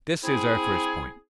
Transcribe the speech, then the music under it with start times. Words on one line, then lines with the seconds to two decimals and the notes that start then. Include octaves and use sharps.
This is our first point.
0.23 C4 E4 G#4